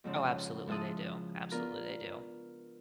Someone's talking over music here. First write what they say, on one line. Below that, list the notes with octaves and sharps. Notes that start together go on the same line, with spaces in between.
Oh, absolutely, they do. Absolutely, they do.
F2 G#2 C#3
F3 G#3 E4 A5 D#6
B3 D4 F4 A#4 B4